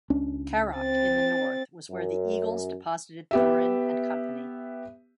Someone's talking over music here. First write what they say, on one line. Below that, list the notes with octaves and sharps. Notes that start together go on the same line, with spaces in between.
Carrock, in the north was where the Eagles deposited Thorin and Company.
C#2 C#4 D4
C4 A6
F#2
B3 G4 E5